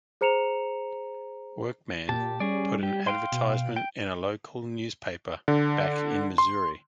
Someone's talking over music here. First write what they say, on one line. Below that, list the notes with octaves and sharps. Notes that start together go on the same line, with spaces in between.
Workman put an advertisement in a local newspaper back in Missouri.
G#4 C5 A#5 C#7 E7 F7
A#2 G4 A5
G3 C#4 G#4 D5
G4
F5 G5 C6
B2
G5
D3
C6